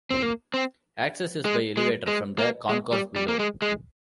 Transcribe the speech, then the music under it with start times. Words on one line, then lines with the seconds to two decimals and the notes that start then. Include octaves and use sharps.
Access is by elevator from the concourse below.
0.10 C4
0.22 A#3
0.54 C4
1.45 G#3
1.77 G#3
2.07 G#3
2.39 A#3
2.69 G#3
2.92 G3
3.16 G3
3.28 A#3
3.39 G#3
3.62 G#3